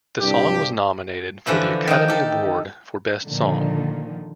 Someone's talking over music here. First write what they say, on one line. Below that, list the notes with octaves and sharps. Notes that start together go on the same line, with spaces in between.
The song was nominated for the Academy Award for Best Song.
C2 G2 D4 G4
D3 E3 F3 E4
D#3 F3 D#4
G4 A4
A#2 D3 D#3 F3